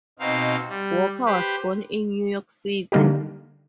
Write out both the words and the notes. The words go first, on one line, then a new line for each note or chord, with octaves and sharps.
Walker was born in New York City.
B2 C4 D#4 F5
G3
G4 B4 C5
D3 G3 A#3 D#4 G4